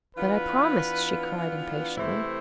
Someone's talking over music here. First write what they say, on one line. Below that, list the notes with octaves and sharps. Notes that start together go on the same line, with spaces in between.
"But I promised!" she cried, impatiently.
E3 B3 D4 F4 B4
C3 E3 A3 E4 C5